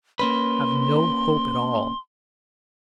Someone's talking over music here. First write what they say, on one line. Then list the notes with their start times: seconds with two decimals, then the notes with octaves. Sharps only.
I have no hope at all.
0.19 A#3 C#4 B4 C6